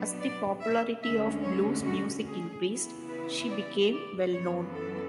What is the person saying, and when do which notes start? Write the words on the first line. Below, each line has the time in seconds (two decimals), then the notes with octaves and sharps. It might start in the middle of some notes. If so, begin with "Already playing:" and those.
As the popularity of blues music increased, she became well known.
Already playing: B2 F#3 B3 D4
0.20 D5
0.62 E5
1.03 D2 D3 G#3 C#4 E5
1.44 C#5
1.85 F#4
2.26 G#4
2.68 C#3 E3 B3 E4
3.09 B4
3.50 D5
3.92 D5
4.33 F#2 E3 B3 C#5
4.74 A4